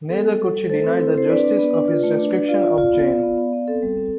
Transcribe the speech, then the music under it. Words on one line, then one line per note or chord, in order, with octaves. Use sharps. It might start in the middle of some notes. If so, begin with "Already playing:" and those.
Neither could she deny the justice of his description of Jane.
B3 A4
G3
G3
G3
A3 A4 C5
C4
E4
C4 C5
D4 B4 D5
D4
B3
D4
F4
A3
D4
D4
F4 D5 F5
F4
F4
B3
F4
B3
B3
B3
C4 A4
G3
C4